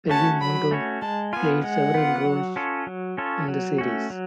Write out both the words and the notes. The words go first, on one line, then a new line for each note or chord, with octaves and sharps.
Peggy Mondo played several roles in the series.
A3 C#4 F#4 C#5 A5
F#3 B5
A3 C#4 F#4 C#5
G#3 A5
B3 F4 G#5
G#3 F#5
B3 F4
F#3
C#4 F4 A4 C#5
F#3
C#4 F4 A4 C#5
F#3
A3 C#4 F#4
F#3